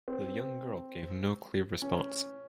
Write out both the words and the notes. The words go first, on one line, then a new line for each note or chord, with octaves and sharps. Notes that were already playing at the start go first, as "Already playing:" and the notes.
The young girl gave no clear response.
C4
C#4